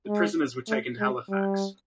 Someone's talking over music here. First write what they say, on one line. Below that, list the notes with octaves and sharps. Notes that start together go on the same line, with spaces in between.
The prisoners were taken to Halifax.
G#3
A3
G#3
G3